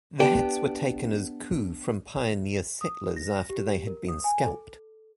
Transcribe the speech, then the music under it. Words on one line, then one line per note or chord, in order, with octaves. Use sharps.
The hats were taken as coup from pioneer settlers after they had been scalped.
B3 D4 G4
D#6
A#6
G4
A#4
D#6
G#5
A4